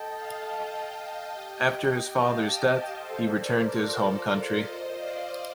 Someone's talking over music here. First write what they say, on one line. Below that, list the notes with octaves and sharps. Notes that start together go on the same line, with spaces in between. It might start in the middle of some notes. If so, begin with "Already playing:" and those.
After his father's death he returned to his home country.
Already playing: A4 D#5 G5
F5 A5
D#5 G5
G4 D#5 G5
D#5 G5
F5 A5
A4 C5
A#4 D5
F4
C5 D#5
D5 F5